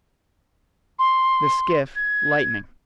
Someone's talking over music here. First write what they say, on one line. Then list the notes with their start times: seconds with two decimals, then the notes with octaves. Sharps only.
The Skiff "Lightning."
0.99 C6
1.96 G#6